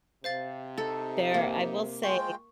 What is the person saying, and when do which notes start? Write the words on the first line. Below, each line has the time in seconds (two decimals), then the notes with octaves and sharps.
There I will say
0.24 C3 C5 F5 A6
0.78 D#4 A4
1.34 A#3
2.03 G#3 F4 G5 C#6